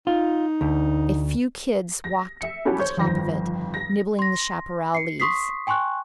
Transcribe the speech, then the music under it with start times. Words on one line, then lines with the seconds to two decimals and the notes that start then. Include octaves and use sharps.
A few kids walked the top of it, nibbling the chaparral leaves.
0.07 D#4 F4
0.61 D2
2.04 A#6
2.41 E5 C#7
2.65 C#4 E4 F#4 G4 A4
2.79 C5 C#5 G6
2.97 G1 F2 D#3 C5 A#6
3.74 A#6
4.19 C6 A#6
4.95 C7 C#7
5.20 C6 C#6 D#6 B6 C7
5.67 G5 G#5 C6 C#6 F#6